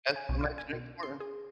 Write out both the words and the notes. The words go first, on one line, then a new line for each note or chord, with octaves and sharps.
That's what makes it important.
G#5
B1
F4
G#5
B2
C6
G#4